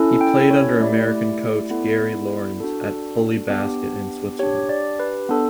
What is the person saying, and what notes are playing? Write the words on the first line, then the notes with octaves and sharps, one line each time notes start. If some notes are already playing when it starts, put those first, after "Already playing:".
He played under American coach Gary Lawrence at Pully Basket in Switzerland.
Already playing: C#4 E4 A4
G5
C#5
A3 E4 G4 D5
B3 E4 A4
D4 F#4 A4
B3 D4 G4
D4 G4 C#5
D5
B4
B3 D4 A4